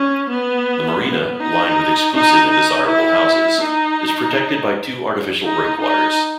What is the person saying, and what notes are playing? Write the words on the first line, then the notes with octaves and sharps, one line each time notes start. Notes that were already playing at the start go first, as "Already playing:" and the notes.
The marina, lined with exclusive and desirable houses, is protected by two artificial breakwaters.
Already playing: C#4
B3
B3
D#4
D#4
D#4
E4
D#4
D#4
D#4